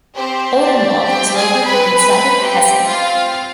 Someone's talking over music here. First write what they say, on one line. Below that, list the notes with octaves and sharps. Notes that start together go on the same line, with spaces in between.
Odenwald is located in southern Hesse.
C4 G4 C5
D4 D5
G4 G5
G#4 G#5
B4 B5
B4 B5
G4 G5
F4 F5